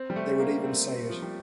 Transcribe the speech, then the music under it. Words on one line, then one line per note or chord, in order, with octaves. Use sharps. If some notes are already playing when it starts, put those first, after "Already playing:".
They would even say it.
Already playing: C4
G3
A3
A#3
C4
F3
G3